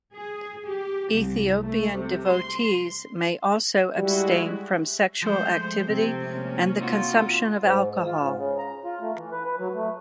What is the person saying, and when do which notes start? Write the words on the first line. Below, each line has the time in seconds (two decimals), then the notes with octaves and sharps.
Ethiopian devotees may also abstain from sexual activity and the consumption of alcohol.
0.14 G#4
0.67 G4
1.12 C2
1.63 A3
1.95 C3
2.29 C6
3.96 G3 G#3 E4 F#4
5.23 F3 G#3 A3 C5
5.88 C3 C4
6.29 A#3 C#4
6.79 C4 D#4 F4 F#4
7.62 G#2
8.06 F4
8.20 G#2
8.37 C#3
8.58 A#5
8.85 F4
9.01 A3
9.16 E3
9.32 B4
9.45 B4
9.58 F#3
9.74 A3